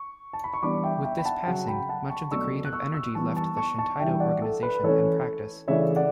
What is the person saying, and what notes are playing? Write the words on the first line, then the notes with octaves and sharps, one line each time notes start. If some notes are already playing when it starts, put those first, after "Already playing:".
With this passing much of the creative energy left the Shintaido organisation and practice.
Already playing: C#6
A5
B5
C#6
E3 G3 B3 D4 B5 D6
E5 G5
E5 G5
B5
F#5 A5
C#3 F#3 C#4 F#5 A5
G5 B5
F#5 A5
A5 C#6
B2 F#3 A3 D4 C#6 E6
F#6
C#6 E6
C#6 E6
E3 G3 B3 A5 C#6
A5 C#6
A5 C#6
A5 C#6
E3 G3 D4 E5 G5
D5 F#5
A4
B4
E3 A3 C#4 A4 C#5
C#3 E3 A3 D4 C#5 E5
D5 F#5